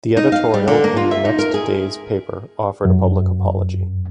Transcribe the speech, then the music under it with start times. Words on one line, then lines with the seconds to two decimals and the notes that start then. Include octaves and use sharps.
The editorial in the next day's paper offered a public apology.
0.17 D#4
0.32 F5
0.54 G3
0.68 D3
0.84 A#3
0.97 F4
1.11 E5
1.25 D#4
1.39 A#4
1.54 G#4
2.85 F#2